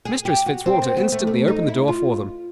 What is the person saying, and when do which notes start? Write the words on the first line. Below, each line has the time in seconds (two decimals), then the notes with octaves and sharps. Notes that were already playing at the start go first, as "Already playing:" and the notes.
Mistress Fitzwalter instantly opened the door for them.
0.05 G#4
0.25 G4
0.46 F#4
0.66 C4
0.82 C4
0.97 B3
1.12 A3
1.27 A3
1.48 D#4
1.68 E4
1.88 F4